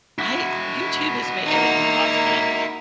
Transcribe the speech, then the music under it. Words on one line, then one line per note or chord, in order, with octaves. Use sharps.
"I YouTube has made everything possible, like,
E4 F#4
A#3 D#4